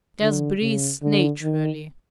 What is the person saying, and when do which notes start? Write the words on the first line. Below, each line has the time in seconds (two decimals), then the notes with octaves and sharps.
"Just breathe naturally."
0.22 D3
0.62 C#3
1.02 D3
1.42 D#3